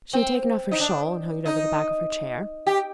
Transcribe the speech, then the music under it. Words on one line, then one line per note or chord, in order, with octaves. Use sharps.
She had taken off her shawl, and hung it over the back of her chair.
C4
D#4
D4
D#4
G4